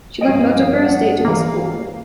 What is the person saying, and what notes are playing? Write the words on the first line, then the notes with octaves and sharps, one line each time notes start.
She left most of her estate to the school.
G2 F3 G3 D#5 F5 D7 D#7
G1 F#5
E3 A#3 F5